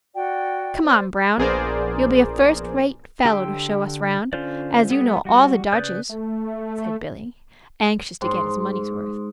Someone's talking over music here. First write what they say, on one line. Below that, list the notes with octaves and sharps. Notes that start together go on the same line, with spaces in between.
"Come on, Brown; you'll be a first-rate fellow to show us round, as you know all the dodges," said Billy, anxious to get his money's worth.
F#4 D5 F#5 G5
C5 D5
A#1 B3 G#4 A#4 C5 D5
D3 G4 G5 C6 E6
D3 C#4 F4 C5 D5
G3 B3 A4 D#6
G3 F#4
C#3 B4 D5 D#6 G6
A3
G#2 C6